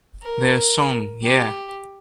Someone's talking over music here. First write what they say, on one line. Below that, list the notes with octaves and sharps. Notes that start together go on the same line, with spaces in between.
Their song Yeah!
A#4
G4